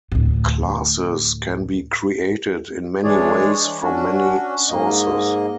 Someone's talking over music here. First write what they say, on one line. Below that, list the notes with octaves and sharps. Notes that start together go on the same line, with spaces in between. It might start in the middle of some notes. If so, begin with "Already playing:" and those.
Classes can be created in many ways from many sources.
D2 A2
E3 G#3 D4 G#4 C#5 D5
C#4 D4 F#4
G#2 A#3 D#5